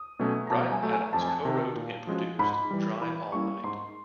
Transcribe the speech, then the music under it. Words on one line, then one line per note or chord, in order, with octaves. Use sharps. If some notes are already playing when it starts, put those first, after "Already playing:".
Bryan Adams cowrote and produced "Drive All Night".
Already playing: D#6
B2 F#3 A3 C#4
A#5
B2 A5
G#5
F#3 A3
G#5
F2 A5
G#5
A5
C3 D#3
A#2
F3 G#3 C#4 F#4
G#2 B5
E3 G3
E3 B5
G3 A#3 C#4 E4 C#6
G#2 C6